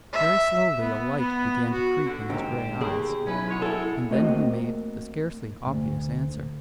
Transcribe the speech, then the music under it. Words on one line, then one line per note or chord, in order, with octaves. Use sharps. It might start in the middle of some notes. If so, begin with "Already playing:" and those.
Very slowly a light began to creep in his grey eyes, and then he made the scarcely obvious answer.
E5
B3
B3
F#4
D3
G#2 D3 G4 A#4 C5
D#2 B2 G#4
B1 C#4 E4 B4
G#3 F#4 C#5
E4 A4
A3 A#3 C4 F#4 D#5
D2 G#2